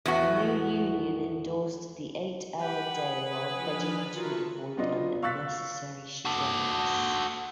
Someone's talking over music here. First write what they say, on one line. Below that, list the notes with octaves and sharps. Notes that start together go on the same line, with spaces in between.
The new union endorsed the eight-hour day while pledging to avoid unnecessary strikes.
E2 A2 B3 F#4
G4 B4 F#5
G#4
F3 D4 F6
F4 F#4 A#4 E5 A5 C#6
F#3 B3 D4 F4 D#5
F5 C#6 E6 F#6 A6 B6
F#4 A4